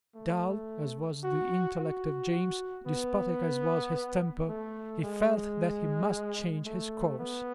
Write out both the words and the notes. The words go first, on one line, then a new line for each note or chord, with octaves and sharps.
Dull as was the intellect of James, despotic as was his temper, he felt that he must change his course.
A3
F#4
F#4
F#4
B3
A3
G#3
A3
B3